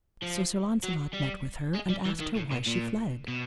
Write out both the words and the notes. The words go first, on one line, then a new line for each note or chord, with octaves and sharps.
So Sir Launcelot met with her and asked her why she fled.
F3
F#3
G3
G#3
G3
E3
D#3
A2
A#2
A#2
B2